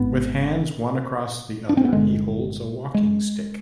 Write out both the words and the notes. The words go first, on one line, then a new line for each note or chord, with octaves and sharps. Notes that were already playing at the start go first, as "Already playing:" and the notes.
With hands, one across the other, he holds a walking stick.
Already playing: G#1 G#2 B3
D4
C4
B3
G1 G2 D3 G#3
G#3